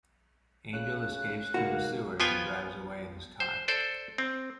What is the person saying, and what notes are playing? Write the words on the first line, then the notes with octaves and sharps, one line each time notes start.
Angel escapes through the sewers and drives away in his car.
C#3 F#6
C#2 G#2 A#3 F#4
F3 B3 F4 G5 G#5
C5
A4 C5 D5
C4